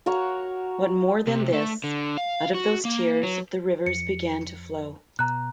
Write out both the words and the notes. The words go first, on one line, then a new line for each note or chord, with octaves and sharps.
What more than this, out of those tears, the rivers began to flow.
F#4 A#4 C#5 F#5
C3
A3
D3
F5
F#4
A#3
F#3
F2 C#7
B2 A#5 F#6